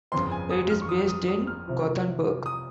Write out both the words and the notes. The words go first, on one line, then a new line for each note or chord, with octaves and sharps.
It is based in Gothenburg.
G1 F2 C#3 C6
G#5
D#6
F6
C#6
D#6
D#6
D#6
F6
C2 C3 F3
D#6